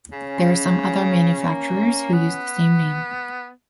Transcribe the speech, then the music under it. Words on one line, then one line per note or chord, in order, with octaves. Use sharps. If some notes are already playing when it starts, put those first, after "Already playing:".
There are some other manufacturers who uses the same name.
C#3 C#4
A#3
B3